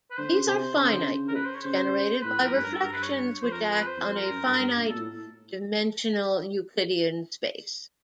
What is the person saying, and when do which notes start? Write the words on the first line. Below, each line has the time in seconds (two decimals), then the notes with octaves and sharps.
These are finite groups generated by reflections which act on a finite-dimensional Euclidean space.
0.11 B4
0.18 D3 C5
0.32 C#3
0.47 C3 C5
0.76 C#3
0.89 D3
1.01 C#3
1.28 A#4
1.35 B4
1.45 C5
1.55 C#5
1.65 C#3 C5
2.14 C5
2.23 A2 B4
2.38 F2
2.45 A#4
2.53 G2 B4
2.63 A#4
2.73 A4
2.83 G2 A#4
2.93 B4
3.03 C#5
3.42 F2 C5
3.52 A#4
3.71 B4
3.82 B4
3.86 C5
3.97 E2
4.01 F2 C5
4.15 A#4
4.30 F#2
4.45 G2
4.59 G2
4.77 B2
4.87 A#2 A4
4.98 A2